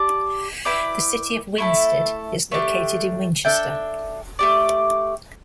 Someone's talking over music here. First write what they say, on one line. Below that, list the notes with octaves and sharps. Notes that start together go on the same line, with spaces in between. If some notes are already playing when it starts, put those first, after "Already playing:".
The City of Winsted is located in Winchester.
Already playing: G4 D5 A5
E4 B4 D5 G5
A3 E4 A4
A3 D4 G4
D4 A4 E5 G5
A3 G4 D5